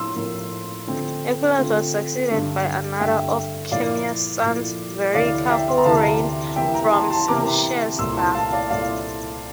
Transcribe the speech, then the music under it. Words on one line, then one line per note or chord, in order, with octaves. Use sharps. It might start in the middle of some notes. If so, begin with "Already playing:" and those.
Eppillus was succeeded by another of Commius' sons, Verica, who reigned from Silchester.
Already playing: A2 F3 A#3 C6 E6
A2 F3 A#3
D3 A3 C4 F4
D3 A3 C4 F4
G2 D3 A3
G2 D3 A3 E5 G5
A#2 F3 A3 E4 D5 F5
A#2 F3 A3 E4
D2 C3 E3 A3 E4 D5 F5
E5 G5
C6
A#5
D2 C3 E3 A3 E4 F5 A5
C3 E3 A#3 E5 G5
G5 A#5
A5 C6
A5 C6
C3 E3 A#3 A#5 D6
C2 A#2 A3 E4 C6 E6
A5 C6
F5 A5
D5 F5
C2 A#2 A3 E4 D5 F5